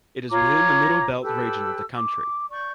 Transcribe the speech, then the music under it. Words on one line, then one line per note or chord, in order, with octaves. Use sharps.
It is within in the Middle Belt region of the country.
F4 C#5 A#5 D6
G4 A4 B4 E6
D6
D5 C#6 G6